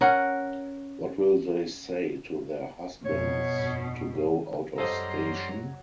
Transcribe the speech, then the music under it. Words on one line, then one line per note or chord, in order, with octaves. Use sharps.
What will they say to their husbands to go out of station?
C#4 A#4 F#5
F2 B2 C#5
F1 G2
F#2 F#3 G3 A4 C5 D#5 A#5 C6